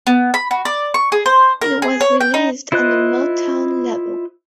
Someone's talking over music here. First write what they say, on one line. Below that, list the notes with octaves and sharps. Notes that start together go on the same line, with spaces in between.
It was released on the Motown label.
B3
B5
F#4
D5
C#6
G#4
C5
A#4
G#4
C#5
G5
D#4
E4 F4 C5 D#5 F#6